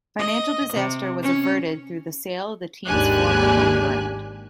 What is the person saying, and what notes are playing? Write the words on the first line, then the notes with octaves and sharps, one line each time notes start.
Financial disaster was averted through the sale of the team's former home ground.
D#5
C3
C#4
G#1 D#2 D4 G4 G#5 F#6